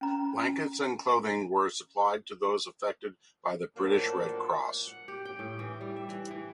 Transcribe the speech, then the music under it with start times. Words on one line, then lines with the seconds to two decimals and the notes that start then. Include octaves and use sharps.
Blankets and clothings were supplied to those affected by the British Red Cross.
0.01 C#4 A#5
3.77 A2 F3 F#3 A#3 D4 A4
4.87 F#5
5.08 G4
5.25 G5
5.39 A2
5.59 E3
5.81 G3
5.96 E5
6.09 E3
6.31 E3